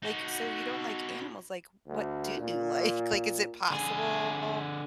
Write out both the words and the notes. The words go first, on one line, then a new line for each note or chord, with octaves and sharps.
like, so you don't like animals, like, what do you like? Like, is it possible
D#4 F#4
D2
A#2
D3 G#4